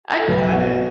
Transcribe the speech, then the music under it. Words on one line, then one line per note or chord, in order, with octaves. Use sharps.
I got it.
A4
B1 B4
B2 F#4